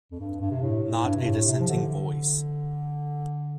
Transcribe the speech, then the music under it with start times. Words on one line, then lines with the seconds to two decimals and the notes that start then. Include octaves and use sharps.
Not a dissenting voice.
0.11 F2
0.19 G2
0.40 G2
0.51 C3
0.61 A2
0.83 A2
1.04 G2
1.16 C3
1.25 A2
1.46 C3
1.60 F3
1.67 D3